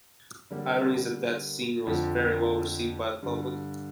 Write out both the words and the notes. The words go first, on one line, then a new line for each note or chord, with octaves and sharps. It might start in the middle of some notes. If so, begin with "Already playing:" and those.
"Irony Is a Dead Scene" was very well received by the public.
D3 G3 A#3 G4
F2 D3 F3
G2 D3 G3